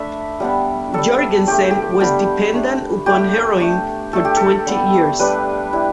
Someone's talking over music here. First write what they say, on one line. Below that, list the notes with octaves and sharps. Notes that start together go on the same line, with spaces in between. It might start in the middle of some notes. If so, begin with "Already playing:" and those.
Jourgensen was dependent upon heroin for twenty years.
Already playing: A3 D4 E5 B5
G3 B3 D4
G3 D4 A4
A3 D4 G4
G4
G3 B3 D4
A3 D4
A3 D4 G4
A3 D4
A3 D4 A4
G4
A4
G3 B3 D4
G3 D4 B4
G3 E4